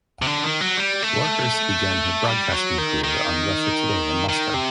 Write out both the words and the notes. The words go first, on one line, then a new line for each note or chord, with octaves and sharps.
Warhurst began her broadcasting career on Russia Today in Moscow.
C3
D3
D#3
F#3
G3
A3
G3
F#3
D#3
D#3
D#3
C3